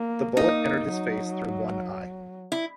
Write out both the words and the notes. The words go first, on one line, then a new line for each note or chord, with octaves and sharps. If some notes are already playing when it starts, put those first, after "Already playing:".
The bullet entered his face through one eye.
Already playing: A#3
A#3 D#4
F#3
E4